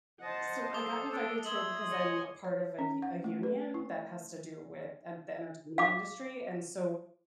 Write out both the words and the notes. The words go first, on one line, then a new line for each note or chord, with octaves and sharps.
So I got invited to it because I'm a part of a u a union that has to do with e the entertainment industry and so
C5 D#5 F#5 A5
A4 D6 D#6 G7
D4
E5 C6 D#6 G#6 F#7 G7
C#5 D#5 G#5
C#5
C#4
F#5
A3
B4
E4
F5 D6